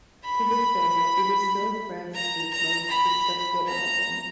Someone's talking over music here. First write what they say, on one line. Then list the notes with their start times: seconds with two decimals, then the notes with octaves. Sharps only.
To this day, it is still Francis' most successful album.
0.24 B5
2.14 A#5
2.52 A#5
2.89 B5
3.65 A#5